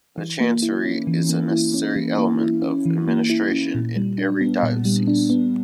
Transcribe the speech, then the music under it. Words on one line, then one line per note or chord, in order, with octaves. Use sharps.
The chancery is a necessary element of administration in every diocese.
E3
A#3
E4
C#4
E3
A#3
E4
C#4
E3
A#3
E4
C#4
E3
A#3
E4
C#4
A#2
G3
D4
B3
A#2
G3
D4
B3